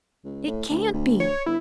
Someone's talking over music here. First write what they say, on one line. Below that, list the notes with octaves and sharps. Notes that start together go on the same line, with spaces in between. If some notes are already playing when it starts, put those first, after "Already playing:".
It CAN'T be.
C#2
A2
D2
D2
C#5
G1 E4